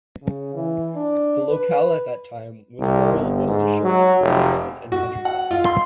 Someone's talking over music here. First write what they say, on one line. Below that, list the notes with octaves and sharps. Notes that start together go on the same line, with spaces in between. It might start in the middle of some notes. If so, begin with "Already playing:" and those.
The locale at that time was rural Worcestershire farmland and countryside.
C#3
E3
D4
B4
C2
G1
G#2
F#3
F1
F#4
F#5
F4
C6